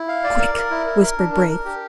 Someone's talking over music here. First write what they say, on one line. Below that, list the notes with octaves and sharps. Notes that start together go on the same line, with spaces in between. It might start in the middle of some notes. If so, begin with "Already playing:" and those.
"Quick!" whispered Braith.
Already playing: E4
F5
D5
A#4
A#4
E4
A#4
A#4
D4
A#4
A#4
G4